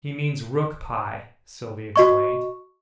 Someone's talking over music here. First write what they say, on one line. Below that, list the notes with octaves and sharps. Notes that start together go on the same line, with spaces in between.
"He means rook-pie," Sylvie explained.
F#4 D#5 C#6